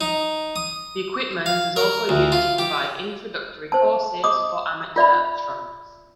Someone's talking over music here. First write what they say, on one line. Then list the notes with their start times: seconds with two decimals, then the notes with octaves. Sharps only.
The equipment is also used to provide introductory courses for amateur astronomers.
0.01 D#4
0.56 D#6
1.46 F5
1.76 A#4
2.09 D2
2.32 F4
2.58 G4
3.72 C5 A5
4.24 D#5 D6 D#6
4.96 F4 D5 E5 B5